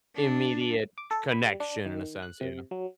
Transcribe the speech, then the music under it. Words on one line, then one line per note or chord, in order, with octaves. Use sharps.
immediate connection in a sense, yeah.
D4
D6
A4
B5
G3
D4
D#3
F#6
C3
F#3